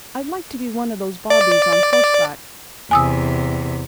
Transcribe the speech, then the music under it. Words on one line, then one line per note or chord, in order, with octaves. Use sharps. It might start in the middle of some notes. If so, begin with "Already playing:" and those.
I'd like to be one of those bobbies on horseback.
D5
D5
E2 C3 G#5 D#6 E6